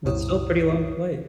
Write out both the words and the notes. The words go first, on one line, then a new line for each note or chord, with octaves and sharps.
That's still a pretty long flight.
C2 F#2 A#2 E4 C#5 D#6